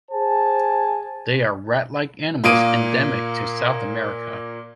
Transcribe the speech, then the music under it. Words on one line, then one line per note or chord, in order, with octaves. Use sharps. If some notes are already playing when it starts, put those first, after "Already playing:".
They are rat-like animals endemic to South America.
G#4 C5 G#5 A5
A#2 A#3 D#6 D7 D#7